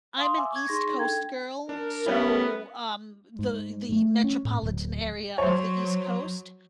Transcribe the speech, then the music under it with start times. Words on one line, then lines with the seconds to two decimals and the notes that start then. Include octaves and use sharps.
I'm an East Coast girl, so, um, the the metropolitan area of the East Coast,
0.18 F5 C6 D#6
0.37 E5 G#5 D6 E6
0.51 C#6 G#6
0.68 D#4 G#4 C6 C#6 A#6
0.99 D4 A4 G5 G#6
1.69 D4 A#4
2.06 G3 B3 C#4 E4
3.39 G#2
3.92 A3
4.24 C#4
4.45 A2
4.63 D1
5.38 F#3 C5 C#5